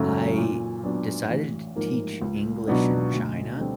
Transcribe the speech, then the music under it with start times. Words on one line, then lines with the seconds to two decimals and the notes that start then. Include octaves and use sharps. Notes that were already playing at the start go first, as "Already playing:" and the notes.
I decided to teach English in China,
Already playing: G#1 F#2 C#3 F#3 A3
0.38 A#2
0.83 F#3 B3 D4
1.30 A1
1.76 G#2 F3 A#3
2.22 C#2
2.68 B2 F#3 B3 D4
3.13 D2
3.59 D3 G3 C4